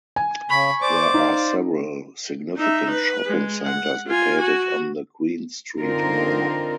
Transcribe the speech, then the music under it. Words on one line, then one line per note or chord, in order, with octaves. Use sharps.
There are several significant shopping centres located on the Queen Street Mall.
G#5
C#3 B5 C#6
C5 D5 D6
D#4 F5
D#4 E5
B4
G#3
F#5
F4 G#5
F#4
D3 C4 D#4 F4 A#4